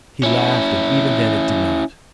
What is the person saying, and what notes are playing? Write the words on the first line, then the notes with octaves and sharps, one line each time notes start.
He laughed, and even then it did not.
C#4 E4